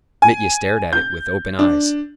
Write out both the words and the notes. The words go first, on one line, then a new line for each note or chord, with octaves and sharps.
Mitya stared at it with open eyes.
G#5
G6
D4